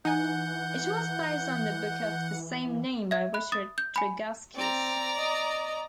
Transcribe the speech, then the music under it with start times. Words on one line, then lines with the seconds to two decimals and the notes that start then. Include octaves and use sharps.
It was based on the book of the same name by Richard Tregaskis.
0.05 E3 D#4 F#5 G#5 G6
3.11 E5 G#6
3.34 B5 F#6
3.52 D#6 A6
3.78 G6
3.96 G#5 B5
4.55 C4 D5 A#5
5.19 D#5